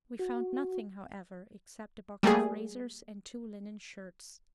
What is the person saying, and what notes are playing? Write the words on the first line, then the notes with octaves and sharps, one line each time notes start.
We found nothing, however, except a box of razors and two linen shirts.
F#4
G3 A3 A#3 G4 G#4